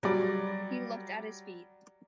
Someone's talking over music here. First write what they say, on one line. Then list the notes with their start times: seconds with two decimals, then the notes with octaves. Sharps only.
He looked at his feet.
0.03 F#3 G3 D5